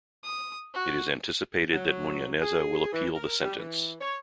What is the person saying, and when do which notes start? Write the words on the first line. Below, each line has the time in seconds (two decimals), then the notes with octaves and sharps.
It is anticipated that Munyaneza will appeal the sentence.
0.24 D#6
0.74 F#4
1.72 F#3
2.41 G#4
2.92 E3
3.14 A#4
3.41 G3
3.58 E3
4.01 C#5